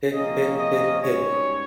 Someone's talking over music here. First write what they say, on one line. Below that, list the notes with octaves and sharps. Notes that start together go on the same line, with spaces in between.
Heh heh heh heh!
C3 F3 A#3 C#4 D#5
D#5
G#2 G3 C#4 C#5